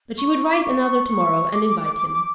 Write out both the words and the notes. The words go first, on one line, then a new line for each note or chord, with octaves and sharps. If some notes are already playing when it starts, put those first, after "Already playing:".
But she would write another to-morrow and invite him.
C#6
D6
C#6
C#6
D6
D6
D6
D6
D6